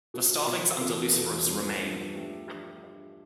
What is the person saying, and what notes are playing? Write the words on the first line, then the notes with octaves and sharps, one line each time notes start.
The Starvelings under Luseferous remain.
B2 B3 F4
B2 B3 F4
E2 B2 B3 F4 A4
E2 B2 B3 F4 A4
G2 F3 B3 D4
G2 F3 B3 D4
F3 A3 D4 G4
F3 A3 D4 G4